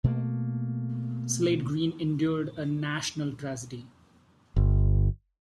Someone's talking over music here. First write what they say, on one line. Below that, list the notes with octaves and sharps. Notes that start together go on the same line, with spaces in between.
Slade Green endured a national tragedy.
B2 A3 A#3
G1